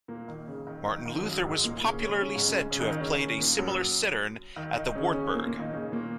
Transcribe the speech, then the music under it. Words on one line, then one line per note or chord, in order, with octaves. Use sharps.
Martin Luther was popularly said to have played a similar cittern at the Wartburg.
A#2 A#3
D#3
C#3
D#3
D#3
D#3
F#2 F#3
F#2 F#3
G#2 G#3
A#2 A#3
C#3 C#4
C#3 C#4
C#3 C#4
G#2 G#3
C#3 C#4
C#3 C#4
D#3 D#4
D#3 D#4
C#3 C#4
A#2 A#3
F#2 F#3
D#3
D#3 D#4
D#4
C#3 C#4
C#3 C#4
A#2 A#3
A#2 A#3
D#3 D#4
C#3 C#4
A#2 A#3